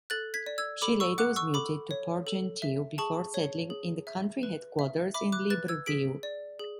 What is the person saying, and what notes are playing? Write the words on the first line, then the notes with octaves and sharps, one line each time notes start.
She later was muted to Port-Gentil before settling in the country headquarters in Libreville.
A4 F#6 A6
G#6 B6
D5
E6 G#6
A4 B5 D6
C#6 E6
F#5 D6 F#6
C#6 E6
A4 B5 D6
C#5
A4
E5
G#4 A5 C#6
C#5
G#4
E5
B4
E5
E5 B5 D6
D6 F#6
B4 F#6 A6
E6 G#6
G#4 B6 D7
D5
G#4